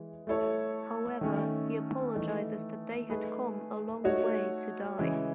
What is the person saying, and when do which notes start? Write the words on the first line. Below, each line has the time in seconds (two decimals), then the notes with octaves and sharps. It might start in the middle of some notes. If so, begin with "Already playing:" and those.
However, he apologizes that they had to come a long way to die.
Already playing: E3 G#3
0.27 A3 E4 A4 C#5
1.21 D#3 A3 C#4
2.15 E3 A3 D#4
3.09 A3 D#4 G#4 B4
4.04 A3 D#4 F#4 C#5
4.99 C#3 E3 G#3